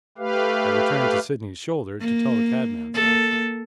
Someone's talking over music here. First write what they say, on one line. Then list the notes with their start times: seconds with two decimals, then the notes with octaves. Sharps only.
I returned to Sydney's shoulder to tell the cabman so.
0.18 A3 G4 B4 F5
2.00 A#3
2.94 A#3 A4